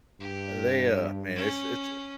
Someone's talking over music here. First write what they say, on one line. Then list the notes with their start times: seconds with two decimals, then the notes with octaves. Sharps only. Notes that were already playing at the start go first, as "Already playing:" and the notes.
they, uh, man, it's it's
0.20 G2 G4
1.36 C#4